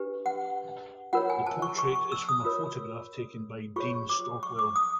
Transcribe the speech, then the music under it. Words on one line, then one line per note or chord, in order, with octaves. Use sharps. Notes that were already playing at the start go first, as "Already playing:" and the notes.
The portrait is from a photograph taken by Dean Stockwell.
Already playing: D4 G4 B4
F#5
F4 A#4 C#5 F#5
G#5
A5
C#6
C#6
C#6
E6
D#6
F4 A#4 C#5
F4 G#4 C#5 C#6
D6
C#6
D6
D#6